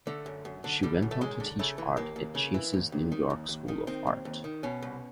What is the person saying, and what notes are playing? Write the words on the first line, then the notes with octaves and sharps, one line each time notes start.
She went on to teach art at Chase's New York School of Art.
D3 A3
F#2
F#2
D3
D3 G3
F#2
A3
F#2 G#3
D3
C#3 A3
E3
D#2 A#3
D#2
C#3
E3
D#2
D#2
D#3
D#2
D#2
D#3
D#3 C4
D#2
D#2
D#3
B2 C#4
C2